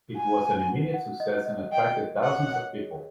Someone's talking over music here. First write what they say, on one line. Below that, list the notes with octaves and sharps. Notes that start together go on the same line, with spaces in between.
It was an immediate success and attracted thousands of people.
F#5 G#5
F#5
F#5
F#5
D#5
D#5
D#5 G5
A#4
C#5 F#5
C#5
G#4